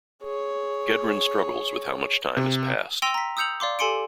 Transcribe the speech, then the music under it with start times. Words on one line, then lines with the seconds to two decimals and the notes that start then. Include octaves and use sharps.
Gedrin struggles with how much time has passed.
0.23 G#4 C#5
2.37 C3
3.02 G5 C6 E6 A#6 D#7 F7
3.14 A#5 B6
3.37 D#6 E6 G6 C#7 F7 F#7
3.60 D5 F5 C6 D6
3.79 G4 A4 G#5 C6 C#7 D7